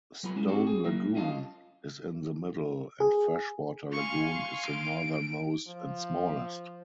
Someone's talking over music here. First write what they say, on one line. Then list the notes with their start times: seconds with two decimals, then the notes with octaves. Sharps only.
Stone Lagoon is in the middle, and Freshwater Lagoon is the northernmost and smallest.
0.23 F#3 B3 F4 B5
0.36 G#3 C#4 E4
0.48 C4 D4 F#4 G4
0.67 G#4
0.84 F#3 A#3 E4
1.15 C#4 F4 D#5 F5 F#5 A5
3.00 G#4
3.92 F5 G#5 C6 C#6
4.66 D7
5.68 F3